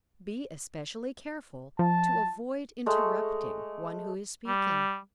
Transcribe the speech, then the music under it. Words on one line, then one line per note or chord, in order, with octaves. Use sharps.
Be especially careful to avoid interrupting one who is speaking.
F3 A5
G#3 A3
G3